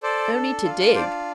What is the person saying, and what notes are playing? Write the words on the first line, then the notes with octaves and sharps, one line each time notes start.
No need to dig.
A4 C5 D5
D4
F4
D4 C5 D5